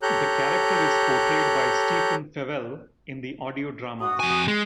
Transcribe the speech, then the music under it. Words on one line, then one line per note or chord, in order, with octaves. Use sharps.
The character is portrayed by Stephen Fewell in the audio dramas.
G4 A4 C#5 A#5 F#6 G6
F#4 D#6
F2 G#5
G#3